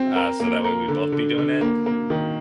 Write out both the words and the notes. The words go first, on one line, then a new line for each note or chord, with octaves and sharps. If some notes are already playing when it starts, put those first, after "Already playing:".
uh, so that way we'd both be doing it,
Already playing: C4
A#4
A#3
A#4
D3
D3
D3
A#3
A#3
D#3